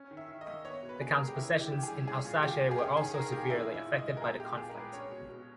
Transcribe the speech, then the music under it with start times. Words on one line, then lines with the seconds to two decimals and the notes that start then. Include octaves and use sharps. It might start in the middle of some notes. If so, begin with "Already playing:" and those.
The count's possessions in Alsace were also severely affected by the conflict.
Already playing: C#4
0.11 D#3
0.17 E5
0.29 D#3
0.41 D#5
0.47 A#3
0.65 B3 C#5
0.83 B2
0.89 B4
1.00 B2 G#4
1.12 A#4
1.19 G#3
1.28 G4
1.36 C#4 E4
1.54 E3
1.61 G4
1.72 E3 G4
1.83 G#4
1.90 G3
2.07 C#4 G#4
2.25 A#2
2.43 A#2 G4
2.61 A#3
2.71 G#4
2.78 C#4 G4
2.97 D#3 G#4
3.14 D#3 A#4
3.32 A#3 G4
3.50 C#4 E4
3.68 A#2
3.74 E4
3.86 A#2
3.98 D#5
4.04 G#3
4.17 A#4
4.21 B3 G#4
4.40 A#2 G4
4.58 A#2 G#4
4.70 A#4
4.75 G#3 B4
4.93 C#4 C#5
5.11 B2
5.29 B2